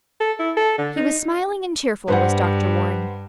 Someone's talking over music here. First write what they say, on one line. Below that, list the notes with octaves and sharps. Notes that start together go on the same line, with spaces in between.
He was smiling and cheerful, was Dr. Warren.
A4
E4
A4
D3
D#4
G2 B4 C5 F#5